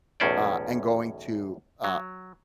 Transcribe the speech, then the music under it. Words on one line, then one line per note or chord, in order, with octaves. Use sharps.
uh, and going to, uh,
B1 E2 A2 C#4 C5 D5
F#3